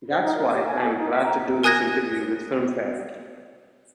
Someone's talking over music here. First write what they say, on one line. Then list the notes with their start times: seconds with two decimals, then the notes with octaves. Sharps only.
That's why I am glad to do this interview with Filmfare.
0.10 C5
0.22 D#4
0.36 A#4
0.52 G4
0.67 G#5
0.84 A4
0.97 D#4
1.12 E5
1.23 A#5
1.64 A#4 G#5 D#6 F#6 G#6 A#6